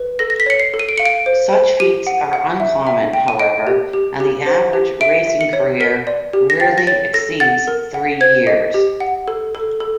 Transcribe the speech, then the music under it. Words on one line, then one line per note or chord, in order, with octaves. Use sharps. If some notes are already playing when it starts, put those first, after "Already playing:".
Such feats are uncommon, however, and the average racing career rarely exceeds three years.
Already playing: B4
A4 A#6
A#6
B6
C#5 C#7
C7
A4
D#7
D7
F5 C#7
D7
C5
C5
G4 D#7
F#5
F#5
E5
E5
G5
D#7
D#5 D7
G4
G4
G4
C5
G4
E5 D7
E5
C#7
C#5
A#4 B6
D5
G4
A#6
G5 A6
A#6
C#5 A6
A4 A#6
F#5 A6
A#4
F#5
C5 G#6
D#5
G4
F#5
A4
A4
A4